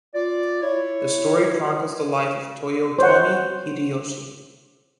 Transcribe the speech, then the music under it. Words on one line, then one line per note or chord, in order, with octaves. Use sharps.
The story chronicles the life of Toyotomi Hideyoshi.
F4 D5
E4 C#5
C5 C#5 F#5